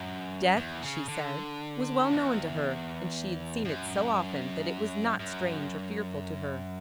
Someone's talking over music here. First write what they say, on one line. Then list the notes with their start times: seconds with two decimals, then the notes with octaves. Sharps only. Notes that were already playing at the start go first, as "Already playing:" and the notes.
Death, she said, was well known to her, and she had seen it so often that it was not strange or fearful to her.
Already playing: F#2
0.57 E2
0.82 C#3
1.08 D3
2.11 E2
3.65 F#2
5.19 F#2